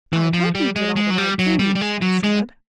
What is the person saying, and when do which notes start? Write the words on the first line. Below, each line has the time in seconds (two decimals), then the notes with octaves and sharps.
"I hope you did all the right things," I said.
0.13 E3
0.33 F3
0.55 G3
0.76 G#3
0.96 G#3
1.10 F#3
1.18 G3
1.39 F#3
1.59 G3
1.75 G3
1.81 G#3
2.01 F#3
2.23 G#3